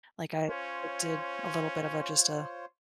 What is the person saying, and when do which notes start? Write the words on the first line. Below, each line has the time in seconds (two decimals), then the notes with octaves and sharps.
like, I I did a little bit of a just a,
0.49 C#4 F4 C5 C#5